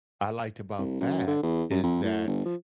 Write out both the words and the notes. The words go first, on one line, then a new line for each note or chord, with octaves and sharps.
I liked about that, is that,
C2
F#2
D3
E2
F#2
F2
A2
G1
F3